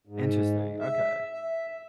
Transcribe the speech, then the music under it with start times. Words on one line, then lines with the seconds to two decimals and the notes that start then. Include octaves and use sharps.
Interesting, okay.
0.07 G#2
0.80 E5
1.33 E5